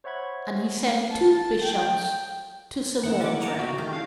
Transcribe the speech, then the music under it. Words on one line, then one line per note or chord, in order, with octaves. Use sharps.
And he sent two bishops to Sir Modred.
C5 C#5 E5 F#5 B5 G#6
A5
G5
B3 E4 A#4 F#5
D3 A#3 C#4 D6
A5 A#5 D6
C#3 D#4 F#4
D#3 A3 G4
G#3 C#4 D4 E4 A4 F5